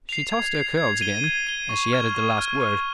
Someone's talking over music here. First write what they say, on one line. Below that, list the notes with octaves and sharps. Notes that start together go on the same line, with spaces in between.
She tossed her curls again, as she added the last word.
C7 F7
G#6
C7 F7
G#6
D#7 G7
G#6
D#7 G7
C#6
F6 G#6
C#6
F6 G#6
F6